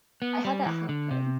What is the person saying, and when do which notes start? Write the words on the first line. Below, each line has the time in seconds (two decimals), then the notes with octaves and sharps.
I had that happen
0.22 B3
0.45 G3
0.66 E3
0.89 D3
1.11 C3